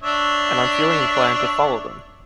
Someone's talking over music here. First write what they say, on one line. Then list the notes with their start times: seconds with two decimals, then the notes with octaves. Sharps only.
And I’m feeling inclined to follow them.
0.03 D4 C#5 E5